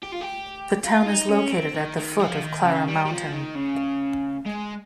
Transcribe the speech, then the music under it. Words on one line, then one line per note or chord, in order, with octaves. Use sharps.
The town is located at the foot of Clara Mountain.
G4
F4
G4
F4
D#4
C#4
C4
D#3
D#3
F3
D#3
C#3
G3
G3
F3
D#3
C#3
G#3